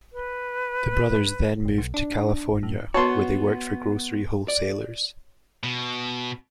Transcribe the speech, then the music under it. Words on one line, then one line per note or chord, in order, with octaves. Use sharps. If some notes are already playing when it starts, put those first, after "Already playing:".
The brothers then moved to California where they worked for grocery wholesalers.
B4
F#1
B1
D4
G1
A2
B3 F#4 C#5 A5 C6
D5
B2